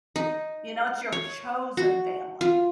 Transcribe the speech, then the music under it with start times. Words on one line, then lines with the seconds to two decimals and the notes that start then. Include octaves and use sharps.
you know, it's your chosen family
0.16 D#4
1.12 C#5
1.77 F#4
2.41 F4